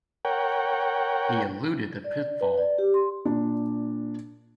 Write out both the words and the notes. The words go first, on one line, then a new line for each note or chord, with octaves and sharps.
He eluded the pitfall.
A#4 C#5 F#5 G5
D5
B4
D5
G4
C6
A#2 D4